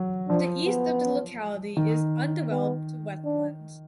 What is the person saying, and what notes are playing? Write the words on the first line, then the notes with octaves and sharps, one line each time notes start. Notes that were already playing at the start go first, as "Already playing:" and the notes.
The east of the locality is undeveloped wetlands.
Already playing: F#3
F3 D4
B3
D#3
B3
D4